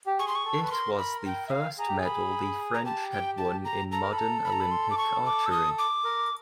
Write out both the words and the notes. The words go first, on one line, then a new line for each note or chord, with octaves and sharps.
It was the first medal the French had won in modern Olympic archery.
G4
G#4 C#6
C6
C#6
A4
B4
C#6
A#4 C6
B5
G5
E5
F5
G#4 A#5
G4
G#4
B5
A#5
G4 A5
G5
A5
A#5
A4 A#5
A#4
A4 B5
A#5
B5
A#5
B5
C6
D6
C#6
D6
E6
D#6
D6
A#4